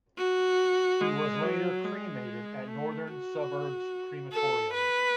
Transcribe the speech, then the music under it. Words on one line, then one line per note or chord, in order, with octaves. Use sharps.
He was later cremated at Northern Suburbs Crematorium.
F#4
G#3
F#3
G#3
A3
F#4
A4
B4